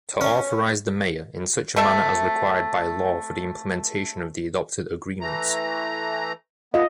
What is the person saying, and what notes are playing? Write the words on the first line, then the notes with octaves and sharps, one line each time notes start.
To authorize the Mayor, in such a manner as required by law for the implementation of the adopted agreements.
C#4
C3 A3 E5
E3 A3 A#5
A3 B3 F4 D#5 F5